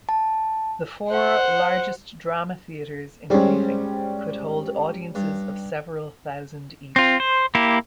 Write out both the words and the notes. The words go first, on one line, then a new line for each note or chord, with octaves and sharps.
The four largest drama theatres in Kaifeng could hold audiences of several thousand each.
A5
C5 F#5
G#2 G3 C4 C#4
G2
C4 F4
C5
A#3 E4 G4